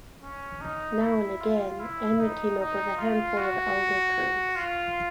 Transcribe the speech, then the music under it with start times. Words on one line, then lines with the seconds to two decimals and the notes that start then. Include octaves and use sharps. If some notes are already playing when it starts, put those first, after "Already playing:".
Now and again, Annie came up with a handful of alder-currants.
0.22 C#4
0.61 D#4
1.01 E4
1.41 F4
1.80 E4
2.20 D#4
2.59 D#4
2.97 F4
3.37 F#4
4.56 F4